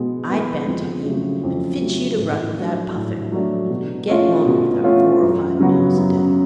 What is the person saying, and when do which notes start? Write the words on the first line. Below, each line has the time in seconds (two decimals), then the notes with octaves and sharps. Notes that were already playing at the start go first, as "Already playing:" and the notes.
I'd Banting you, and fit you to run without puffing, and get on without four or five meals a day.
Already playing: B2 G#3 B3
0.29 G#3 B3
0.67 F2
1.05 C#3 F#3 A3
1.43 F2
1.81 C#3 F#3 A3
2.18 A2
2.57 F#3 A3 D4
2.95 A2
3.32 F#3 A3 D4
3.70 B2
4.08 A3 C#4 F4
4.46 B2
4.84 A3 C#4 F4
5.21 F#2
5.59 C#3 F#3 B3 F#4
5.97 F#2